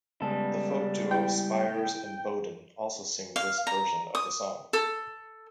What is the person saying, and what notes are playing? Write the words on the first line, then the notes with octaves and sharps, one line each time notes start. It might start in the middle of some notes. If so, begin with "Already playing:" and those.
The folk duo Spiers and Boden also sing this version of the song.
C#3 G3 G#3 B3 A4
E4 G5
F5
A#5
D#6
A4